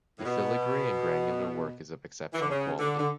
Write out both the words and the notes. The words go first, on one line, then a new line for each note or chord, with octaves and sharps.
The filigree and granular work is of exceptional quality.
A2
B2
E3
D3
C#3
D3
D3